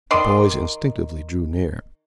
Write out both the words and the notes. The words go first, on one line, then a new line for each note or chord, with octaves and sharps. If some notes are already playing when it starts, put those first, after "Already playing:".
The boys instinctively drew near.
D#3 D5 D#5 C6